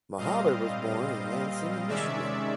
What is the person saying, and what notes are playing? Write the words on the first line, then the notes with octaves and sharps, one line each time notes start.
Muhammad was born in Lansing, Michigan.
A#2 G3 C4 D#5 F5
C3 D#3 G#3 C#4 D5 E5